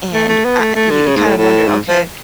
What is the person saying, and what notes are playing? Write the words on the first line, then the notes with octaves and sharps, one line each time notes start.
and I you you kind of wonder, "Okay,
A3
A3
B3
A3
A3
D3
C#3
G#2
A2
A2
G#2
F3